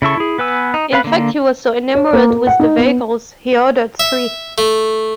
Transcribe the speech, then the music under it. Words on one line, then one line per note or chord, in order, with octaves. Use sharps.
In fact, he was so enamoured with the vehicles, he ordered three.
C#3 E4 A4 C#6
E4 G#4
B3 B4 G#5 E6
D#4
B3 B4 F5 B5 F#6
D3 A#3
C#5
A#3
A#4
F#5
D#4
B3
E5
A3